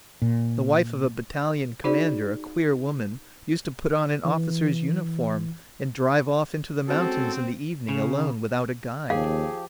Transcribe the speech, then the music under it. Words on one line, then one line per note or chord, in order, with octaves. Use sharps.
The wife of a battalion commander, a queer woman, used to put on an officer's uniform and drive off into the mountains in the evening, alone, without a guide.
A#2
D#4 F#4 G#4 C5 D5
E3
G#3 C4 C#4 F#4 A4
C#3
D#2 F3 G4 G#4 F5